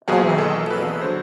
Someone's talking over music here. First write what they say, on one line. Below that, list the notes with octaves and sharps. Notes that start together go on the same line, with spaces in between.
Oh, wow, yeah.
B1 B2 F#3 A#3 G#4
A4
B4
D3 F#3 C5